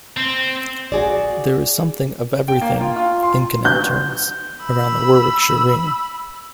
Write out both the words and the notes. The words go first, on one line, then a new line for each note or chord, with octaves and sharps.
There is something of everything, in canal terms, around the Warwickshire Ring.
C4
F#4 G#4 D5
G5
A#3
F4
F4
C6
G6
B5 E6